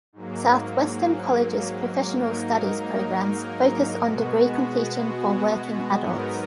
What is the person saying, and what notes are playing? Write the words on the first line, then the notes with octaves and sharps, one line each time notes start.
Southwestern College's professional studies programs focus on degree completion for working adults.
G#2 F#3 A#3
G#2 F#3 A#3 D#4 A#4
B2 G#3 B3 F#4
G#2 F#3 B3 D#4 A#4